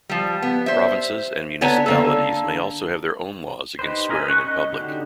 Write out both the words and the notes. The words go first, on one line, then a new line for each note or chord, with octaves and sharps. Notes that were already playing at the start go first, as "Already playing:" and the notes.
Provinces and municipalities may also have their own laws against swearing in public.
F3 G3
B3
C5 E5
D3 B3 C#5 G#5 A#5
D3 A#3 A4
D#4 G4 B4 C5
C#4 A#4 D#5 E5 G#5
C#6 F#6
C#4 D#5 F#6
D3 C#4 D#4 F#4 G4